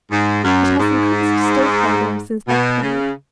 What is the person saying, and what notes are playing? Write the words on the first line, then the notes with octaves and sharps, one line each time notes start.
It has increased still further since that period.
G#2
F#2
G#2
B2
C#3